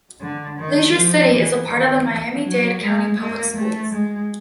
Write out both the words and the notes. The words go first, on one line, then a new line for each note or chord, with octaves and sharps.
Leisure City is a part of the Miami-Dade County Public Schools.
D3
D#3
F3
E3
D#3
E3
F#3
G#3
A#3
A3
G#3